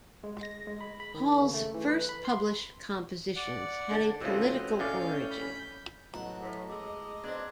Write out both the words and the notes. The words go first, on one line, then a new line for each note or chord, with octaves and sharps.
Hall's first published compositions had a political origin.
G#3
A#6
G#3
B5
B5
D#3
C#3
A3
E3
B4
B5
C6
D5 F#5
D3 A5
F2 A2 C#3 B3 C4 F#4 D#5
A1 A2 C#4 D5 F5 G6
B5 G6
A1 B2 F#3 F#5 A5 A#5
A2
G#3 D#5 D6 E6
B2 C4 D4 G#6